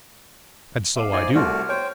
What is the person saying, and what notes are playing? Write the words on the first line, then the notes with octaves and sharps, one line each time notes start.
'And so I do.
E5 F5 D6
D#4 C5 D5 G#5
C2 A3 F#4 D5 F6
C5 C#5 G5